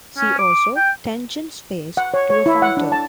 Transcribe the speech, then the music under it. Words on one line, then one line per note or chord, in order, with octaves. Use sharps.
See also: tangent space to a functor.
C#4
D6
G5
F#5
C#5
C#5
E4
F#5
D4
A5